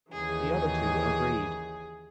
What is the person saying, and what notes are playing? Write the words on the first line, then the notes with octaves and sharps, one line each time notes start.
The other two agreed.
D#2 C#3 E3 G#4